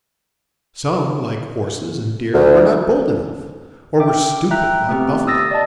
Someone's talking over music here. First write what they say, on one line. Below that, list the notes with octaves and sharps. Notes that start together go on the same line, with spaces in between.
Some, like horses and deer, were not bold enough; or were stupid, like buffaloes.
D2
E5 G5 D6
E5 G5 A#5 F#6
A3 B3 C4 G4
D#6 E6 A6 A#6
D5 D#5 A5